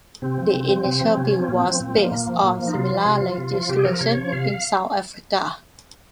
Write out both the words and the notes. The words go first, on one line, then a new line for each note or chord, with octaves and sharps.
The initial bill was based on similar legislation in South Africa.
C3 C4
F3
C3
F3
C3
F3
C3 C#4
F3
C4
A#2 A#3
C4
F3
C4
A#2 C4
F3 A#3
A#2 A#3
F3
A#2
F3
D#4
C3 F4
F3
C3
F3
C3
F3
C3 G4
G#4
F3 A#4
C3 C#5
F3
C3 F5